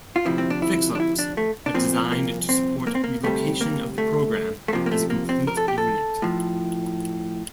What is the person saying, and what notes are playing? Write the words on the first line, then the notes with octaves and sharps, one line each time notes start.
Fixups are designed to support relocation of the program as a complete unit.
F4
D2 C3 F3 E4
C4
D4
E4
D4
E4
D4
A3
D4
C2 A#2 F3 C4
A#3
C4
A#3
C4
A#3
D2 C3 G3 A3
A#3
A3
A3
F2 C3 F3 A#3
A#3
A3
A#3
C4
A#4
A4
G4
A4
A2 F3